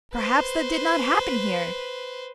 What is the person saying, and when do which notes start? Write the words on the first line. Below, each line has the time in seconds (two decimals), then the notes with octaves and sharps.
Perhaps that did not happen here!
0.14 B4 C5